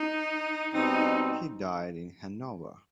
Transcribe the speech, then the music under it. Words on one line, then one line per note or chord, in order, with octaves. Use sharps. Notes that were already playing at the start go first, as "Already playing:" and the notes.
He died in Hannover.
Already playing: D#4
B2 G3 C4 D#4